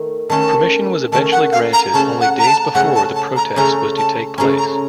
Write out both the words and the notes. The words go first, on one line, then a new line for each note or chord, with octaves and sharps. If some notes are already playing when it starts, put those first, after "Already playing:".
Permission was eventually granted only days before the protest was to take place.
Already playing: D#3 A3
D#3 A3 C#4 A5
D#3 A3 C#4 A5
F#5
F5
A#5
C#3 A3 C#4 A5
F#5
A#5
A5
C#3 A3 C#4 F#5
A5
A5
A#5
C#3 A3 C#4 A#5
A5
C#3 A3 C#4 A#5
A#5